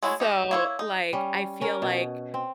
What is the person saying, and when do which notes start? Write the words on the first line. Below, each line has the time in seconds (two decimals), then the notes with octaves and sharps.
so, like, I feel like
0.03 F#3 G#3 A3 E4
0.20 D#4 G4 A#5
0.51 A#3 E4 C#5
0.79 D#4
1.13 G3 C#4
1.61 C#4 A#4
1.82 B2
2.34 C4